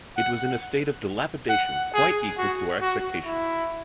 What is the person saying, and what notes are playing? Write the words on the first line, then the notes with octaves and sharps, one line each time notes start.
It was in a state of dilapidation quite equal to our expectation.
F#5
F#5
G#4
F#4
F#4
E4